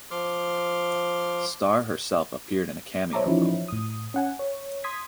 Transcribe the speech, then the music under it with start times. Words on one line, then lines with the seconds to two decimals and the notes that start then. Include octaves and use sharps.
Starr herself appeared in a cameo role.
0.11 F3 C6 D6 F6
3.13 C5 C#5 E5 A5 A#5 D6
3.26 E3 F3 C#4 D#4 E4
3.68 A2 D#6
4.14 C#4 F#5 G#5
4.39 C#5
4.84 C6 D#6 G#6 B6